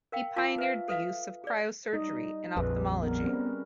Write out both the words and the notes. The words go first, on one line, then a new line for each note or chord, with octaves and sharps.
He pioneered the use of cryosurgery in ophthalmology.
A#4 F5 G5
F4 A#4 F5 A5 D6 E6
B4 E5 F5
A4 B4 E5 F5
G#4 D5
G3 D#4 D#5
A#1 F2 G#4 B4
G3 B3 A#4
C4 C#4 B4